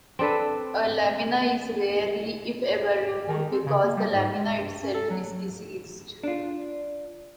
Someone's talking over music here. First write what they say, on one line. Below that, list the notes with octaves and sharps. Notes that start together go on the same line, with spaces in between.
A lamina is rarely, if ever, removed because the lamina itself is diseased.
C4 D4 A4 B4
G4
D#3
C4
C#3
A#3
G3
G#2
G#3
G2
C#4
A4
F#3
D4 F4